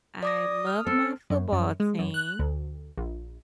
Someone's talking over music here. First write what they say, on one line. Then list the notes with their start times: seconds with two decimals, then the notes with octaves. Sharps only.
I love my football team.
0.23 D5 D6 D#6 A#6
0.67 F6
0.87 C4 A4
1.30 F#2
1.52 F#2
1.80 G#3
1.99 F#2
2.14 F#6
2.39 D2
2.97 A#1